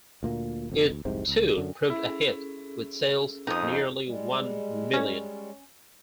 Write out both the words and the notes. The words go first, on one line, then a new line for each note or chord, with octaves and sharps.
It, too, proved a hit, with sales of nearly one million.
D2 A#2 A#3
F1 F2 B2
D2
F1 C2 G#2 C3
C#2
F#2 D3
C#4 E4 G#4 A4
F2 D#4 D#6
G3 G#3
C#4